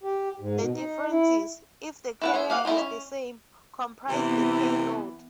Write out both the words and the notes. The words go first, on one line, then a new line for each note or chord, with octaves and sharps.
The differences, if the carrier is the same, comprise the payload.
G4
G#2
B2
D#4
E4
E4 B4 F#5
G#4 C5 E5
A#3 F5 F#5
G#3 D#4 E4
C#4
C3 E3 B3